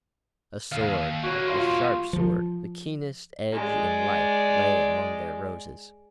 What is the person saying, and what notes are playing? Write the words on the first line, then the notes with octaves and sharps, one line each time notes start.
A sword, a sharp sword, the keenest edge in life, lay among their roses.
D#2 F5
G3 A#3 F#4 C#5
F4 F5 C6
F3
G#3 D5